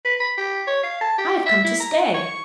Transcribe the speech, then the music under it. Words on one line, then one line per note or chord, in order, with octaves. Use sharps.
"I have come to stay."
B4
B5
G4
C#5
F5
A5
G4
E5
E4
A#5
F#5
C#6